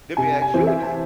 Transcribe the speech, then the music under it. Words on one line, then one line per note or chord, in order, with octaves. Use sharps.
Let me ask you now.
C3 G#5
G#5
E3 C4 E4
E5
A5